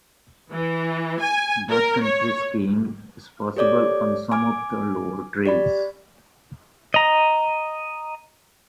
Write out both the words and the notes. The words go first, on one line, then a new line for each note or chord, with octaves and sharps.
Backcountry skiing is possible on some of the lower trails.
E3
G#5
A#4
C#5
G4 A4 C#5 D5 D6
G#5 D6 F6
G4 D5 B5
D#5 A#5